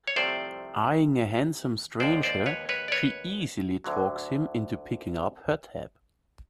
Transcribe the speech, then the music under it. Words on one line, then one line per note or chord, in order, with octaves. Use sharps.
Eyeing a handsome stranger, she easily talks him into picking up her tab.
C#5
C2 C3 F3 A3 C5 D5
D#2 D3 F3 G#3 C5 D5
C5 D5
B4 C#5
B4 C#5
D5
B4 C#5
D2 D3 F#3